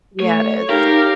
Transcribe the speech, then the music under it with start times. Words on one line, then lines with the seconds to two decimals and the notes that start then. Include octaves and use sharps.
Yeah, it is.
0.20 A3 C#5
0.70 D#4 G4 A#4 F5